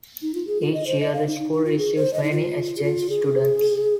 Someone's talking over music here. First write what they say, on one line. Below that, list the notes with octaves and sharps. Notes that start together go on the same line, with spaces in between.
Each year the school receives many exchange students.
D#4
F4
G#4
F4
D#5
C5
D#5
F5
D#4
D#4
D#4
F4
G#4
C5
D#5
D#4
F4
G#4
F4
G#4